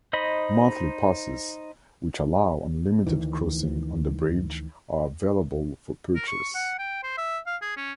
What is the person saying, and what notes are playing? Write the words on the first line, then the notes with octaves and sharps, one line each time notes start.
Monthly passes, which allow unlimited crossing on the bridge, are available for purchase.
D#4 C5 D#5 B5
D2 D#3 E3
A#4
C#6
F#5
G5
C5
E5
F5
G#4
C#4